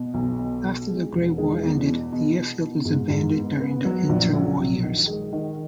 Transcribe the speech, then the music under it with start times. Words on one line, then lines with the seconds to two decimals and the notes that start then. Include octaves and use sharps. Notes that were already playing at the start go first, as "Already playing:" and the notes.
After the Great War ended, the airfield was abandoned during the inter-war years.
Already playing: B2
0.14 B1
0.39 B2
0.64 B2
0.89 G#3
1.12 E1
1.38 G#3
1.63 E2
1.87 B2
2.12 B2
2.36 B2
2.61 B2
2.85 G#2
3.10 G#2
3.35 B3
3.60 B3
3.85 F#3
4.09 A#1
4.34 F#3
4.59 A#1
4.83 D#3
5.08 G#3
5.33 D#3